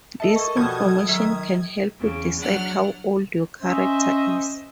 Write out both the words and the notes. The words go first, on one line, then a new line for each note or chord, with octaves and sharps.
This information can help you decide how old your character is.
A4 D#5 E5 A5
A#4 C#6
B2 F3 G3 D#6 G#6
F#3
D#3 F#3 E5
E2 C#3
F#3 D4 F#5 F6
C#4 C5 D#5 E5